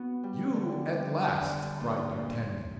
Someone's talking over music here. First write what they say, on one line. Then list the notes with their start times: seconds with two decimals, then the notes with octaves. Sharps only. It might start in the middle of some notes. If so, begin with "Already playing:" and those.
"You at last?" cried d'Artagnan.
Already playing: B3 F#4
0.23 G3
0.54 D3
0.86 G3
1.17 D3
1.49 D3
1.80 A#2
2.11 A#2